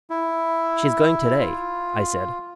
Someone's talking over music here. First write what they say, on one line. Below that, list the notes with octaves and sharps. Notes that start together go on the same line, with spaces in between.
"She's going to-day!" I said.
E4
F4